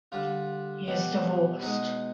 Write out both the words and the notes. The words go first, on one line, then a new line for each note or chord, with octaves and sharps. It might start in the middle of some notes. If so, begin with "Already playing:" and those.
He is divorced.
D3 G3 F4
B2 G3
B2 G#3 D#4